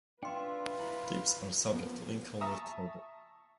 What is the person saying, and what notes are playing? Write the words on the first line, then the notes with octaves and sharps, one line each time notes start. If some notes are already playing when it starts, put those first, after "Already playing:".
Tips are subject to income withholding.
D4 F4 B4 E5 G5 C6
E4 B5
F3 A#3 B3
E5 A5 A#5 C#6 D#6